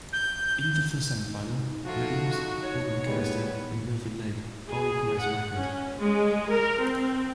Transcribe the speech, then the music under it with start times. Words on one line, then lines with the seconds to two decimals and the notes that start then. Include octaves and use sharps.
In the first semifinal, Williams, Robert McAllister, and Wilfred Legg all equalized the record.
0.13 G6
1.24 D#4
1.86 F3 A3 F4 F#4
2.62 C#5
3.06 A#2 G3 G#3 B3
4.67 G#4
5.19 F#5
5.55 C#4
5.98 G#3
6.51 A#4
6.81 C4